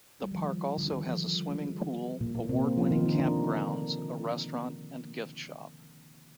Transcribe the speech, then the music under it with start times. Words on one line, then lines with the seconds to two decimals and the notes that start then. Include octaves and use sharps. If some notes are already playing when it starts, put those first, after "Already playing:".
The park also has a swimming pool, award-winning campgrounds, a restaurant, and gift shop.
0.22 G3
0.32 F3
0.35 D#3
0.78 D3
0.92 D#3
1.07 F3
1.35 G3
1.49 G#3
2.21 A#2 A#3
2.34 A#2 A#3
2.49 C3 C4
2.77 F3 F4
2.91 D#3 D#4
3.05 D#3 D#4
3.15 D3 D4